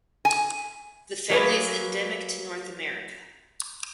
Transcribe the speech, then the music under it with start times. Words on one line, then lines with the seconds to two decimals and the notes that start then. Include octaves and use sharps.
The family is endemic to North America.
0.25 G#5
1.30 F#3 A#3 C4 D4 G#4 B4